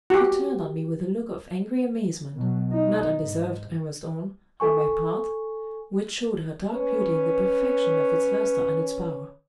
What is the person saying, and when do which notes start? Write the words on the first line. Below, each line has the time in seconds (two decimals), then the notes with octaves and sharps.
She turned on me with a look of angry amazement--not undeserved, I must own, on my part--which showed her dark beauty in the perfection of its luster and its power.
0.10 F#4 G4
2.35 B2 F#3
2.72 D#4
3.20 G#2
4.60 A4 G#5 C#6
6.73 C#4 B4 C#5